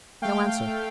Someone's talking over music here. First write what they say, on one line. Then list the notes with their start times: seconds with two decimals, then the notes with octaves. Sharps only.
No answer.
0.22 A3 F5 G5
0.67 A3